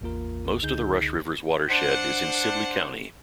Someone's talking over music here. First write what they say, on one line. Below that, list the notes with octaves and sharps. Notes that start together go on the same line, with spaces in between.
Most of the Rush River's watershed is in Sibley County.
A1 E2 A#3 F4 A#4
C#2 D3 D#4 G#4 G6
D4 C5 F#5